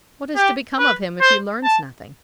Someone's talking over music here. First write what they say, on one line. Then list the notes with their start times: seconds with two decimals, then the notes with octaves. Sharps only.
"What is to become of him if he learns nothing?"
0.36 G4
0.79 B4
1.21 C5
1.63 A5